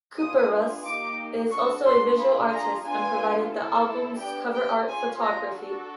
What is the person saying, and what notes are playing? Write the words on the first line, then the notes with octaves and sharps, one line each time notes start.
Kuperus is also a visual artist and provided the album's cover art photography.
B3 D4 F4 G#4 D#6
A#3 D#4 G4 D6
D4 F#4 A4 C#6
C6
D4 F4 G#4 B5
A#5
B3 D4 F4 G#5
C4 E4 A4
B3 D4 G4 G5
G5
C#4 F4 G#4 G#5
A#5
D4 F#4 A4